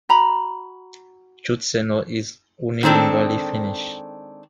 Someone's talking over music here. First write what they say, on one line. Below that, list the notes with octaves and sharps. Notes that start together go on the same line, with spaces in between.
Joutseno is unilingually Finnish.
F#4 A#5 B5
D#3 G#3 C4 D4 A4